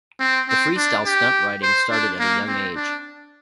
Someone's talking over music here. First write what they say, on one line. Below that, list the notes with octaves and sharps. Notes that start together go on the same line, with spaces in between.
The Freestyle stunt riding started at a young age.
C4
C4
D4
G4
C5
D4
A#3
C4
D4